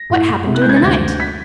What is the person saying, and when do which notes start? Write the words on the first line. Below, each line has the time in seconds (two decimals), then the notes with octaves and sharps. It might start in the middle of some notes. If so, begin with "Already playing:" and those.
What happened during the night?
Already playing: A#6
0.10 A2
0.28 A2
0.47 C3
0.55 F#6
0.62 G6
0.66 G#3 G#6
0.76 A6
0.83 D2 A#6
1.01 D2
1.20 B6